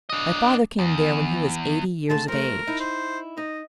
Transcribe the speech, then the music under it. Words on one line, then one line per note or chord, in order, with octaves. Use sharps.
My father came there when he was eighty years of age.
D4 D#5
E2
D3 G#3 A3 A5
F3 A3 A#4
D#4 E4
C5
D#4 D#5